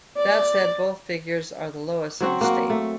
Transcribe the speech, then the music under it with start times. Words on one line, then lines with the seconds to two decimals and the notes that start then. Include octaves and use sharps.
That said, both figures are the lowest in the state.
0.18 D5
2.21 F#3 C4 F#4
2.41 A#3 F#4
2.70 A3